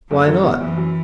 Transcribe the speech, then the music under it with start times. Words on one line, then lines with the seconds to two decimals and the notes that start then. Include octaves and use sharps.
"Why not?"
0.11 F#1 F#3
0.27 F#2
0.44 B3
0.60 F#1 E3
0.77 F#2